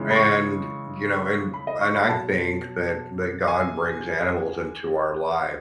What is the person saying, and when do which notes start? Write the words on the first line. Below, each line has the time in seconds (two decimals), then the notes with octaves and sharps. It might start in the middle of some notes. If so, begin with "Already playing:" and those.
And, you know, and and I think that that God brings animals into our life
Already playing: C#3 E3 G#3
0.10 B5
0.16 C#6
1.54 B5
1.67 D#5
1.81 C#6
1.95 B5
2.09 B2 F#3 A5
3.48 G#5